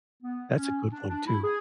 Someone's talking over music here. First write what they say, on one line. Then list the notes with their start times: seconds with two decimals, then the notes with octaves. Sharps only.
that's a good one too.
0.23 B3
0.58 C#4
0.93 D4
1.10 D4
1.27 E4
1.44 G#4